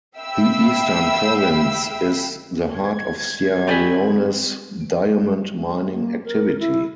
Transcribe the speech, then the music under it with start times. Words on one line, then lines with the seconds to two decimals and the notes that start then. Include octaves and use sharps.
The Eastern Province is the heart of Sierra Leone's diamond mining activity.
0.19 E5 F5 G5 B5 E6
2.76 G#6
3.67 C4 F#4 G4 D5 G#5 B5
5.93 A#3
6.25 A#4
6.59 E4